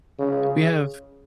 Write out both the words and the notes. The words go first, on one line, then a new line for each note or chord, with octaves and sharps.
We have
C#3